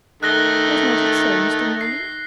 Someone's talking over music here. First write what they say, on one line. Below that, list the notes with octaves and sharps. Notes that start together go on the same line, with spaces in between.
Was not it so, Mr. Morland?
D#3 A3 F#6 A#6 G7
C7